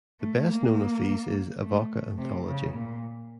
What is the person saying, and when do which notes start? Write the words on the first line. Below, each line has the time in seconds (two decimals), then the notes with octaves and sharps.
The best known of these is Avoca Anthology.
0.20 A3
0.49 A#3
1.62 A3
2.18 C3
2.46 C#3
2.75 A#2